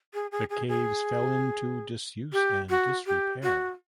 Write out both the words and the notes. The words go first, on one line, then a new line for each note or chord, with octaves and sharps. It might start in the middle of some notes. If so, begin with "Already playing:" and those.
The caves fell into disuse and disrepair.
G#4
G#4
G#4
G#4
G4
F#4
G4
F#4